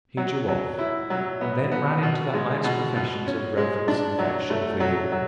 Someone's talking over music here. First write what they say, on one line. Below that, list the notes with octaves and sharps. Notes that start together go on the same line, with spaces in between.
He drew off: and then ran into the highest professions of reverence and affection for you.
F#3
F#3
E4
F#3
B3
B3
B2
G#3
B2
B2
C#4
G#3
D4
F#3
A3
F#3
F#3